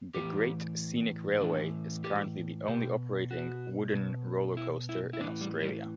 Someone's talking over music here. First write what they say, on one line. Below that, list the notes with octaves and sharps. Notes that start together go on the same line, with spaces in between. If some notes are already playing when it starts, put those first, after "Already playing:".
The Great Scenic Railway is currently the only operating wooden roller coaster in Australia.
A2 E3 G4
A2 E3 D4
G4
B2 G4
F#4
B2
E4
E4
E4
A2 E3 D4
G3
G3